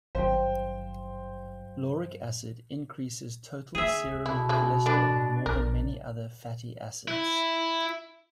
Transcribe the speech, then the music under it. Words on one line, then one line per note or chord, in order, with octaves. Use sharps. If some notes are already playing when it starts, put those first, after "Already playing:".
Lauric acid increases total serum cholesterol more than many other fatty acids.
G#1 G2 F#3 C5 F5 G5
D3 G#4 E5
C#2
B2 E4
C#3 E4
D3 D4 B4
A#1 A#4
E4